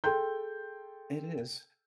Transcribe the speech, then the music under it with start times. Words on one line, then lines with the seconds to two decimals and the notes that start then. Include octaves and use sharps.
It is.
0.04 G#4 A4 G5 C6 G6